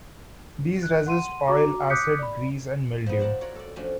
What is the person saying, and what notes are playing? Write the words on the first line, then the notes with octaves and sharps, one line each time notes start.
These resist oil, acid, grease and mildew.
F#6
F#5 C6 D#7
F#4 A#5 D6
D6 D#6 F#6 G6 B6 C#7
D5 B5
F3 B3
C5 D5 F#5 A5 A#5
F4 F#4 A#4 C#5 D5
A4 D5
F3 A3 C#4 D4 F#4